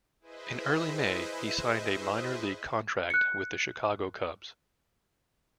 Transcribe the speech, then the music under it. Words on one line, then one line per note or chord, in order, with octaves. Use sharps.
In early May, he signed a minor league contract with the Chicago Cubs.
E4 G#4 B4 C5 D#5 E5
F#6 C#7